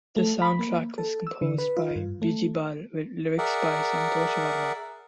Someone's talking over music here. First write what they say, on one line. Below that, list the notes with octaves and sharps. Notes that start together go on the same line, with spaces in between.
The soundtrack was composed by Bijibal with lyrics by Santhosh Varma.
A3
B5
A#3
A4
E6
D3
B4
F4
G2
A3
G#4 A#4 D5 E5 F#5